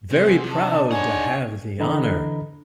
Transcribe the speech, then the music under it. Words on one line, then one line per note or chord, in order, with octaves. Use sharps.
Very proud to have the honour!
C3 B3 G#4 C5
D4 D#4 A5
G#4 C#5 F#5 G#5
D3 E3 D#5 A#5 B5